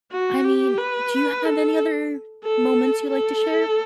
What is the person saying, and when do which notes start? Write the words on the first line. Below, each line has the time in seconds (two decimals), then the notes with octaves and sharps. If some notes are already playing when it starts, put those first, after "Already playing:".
I mean, do you have any other moments you'd like to share?
0.12 F#4
0.44 G4
0.78 B4
1.45 A4
2.44 A4
3.11 A4